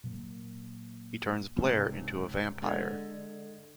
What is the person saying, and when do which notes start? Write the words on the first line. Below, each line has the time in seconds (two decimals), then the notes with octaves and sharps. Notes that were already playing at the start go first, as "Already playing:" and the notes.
He turns Blair into a vampire.
0.04 A#2 F#3 A#3
1.56 C#2 G#2 C3
2.62 D3 G#3 G#6